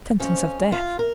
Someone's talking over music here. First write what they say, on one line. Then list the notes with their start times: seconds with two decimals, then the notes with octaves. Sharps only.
"Sentence of death."
0.20 F2 F3 C#4
0.72 F4
0.99 A#4